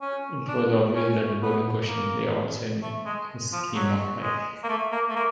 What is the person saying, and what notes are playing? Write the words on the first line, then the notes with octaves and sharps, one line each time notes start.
It was obvious that boring questions lay outside his scheme of life.
C#4
D4
C#4
B3
A#3
A3
G#3
F3
F#3
G#3
A#3
A3
A#3
A3
A#3